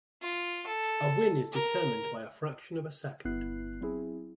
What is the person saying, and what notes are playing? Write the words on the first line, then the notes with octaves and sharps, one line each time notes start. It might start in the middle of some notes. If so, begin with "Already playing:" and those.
A win is determined by a fraction of a second.
F4
A4
A#4
G1 B3 E4 F#6 C7
F#3 C4 E4 G#4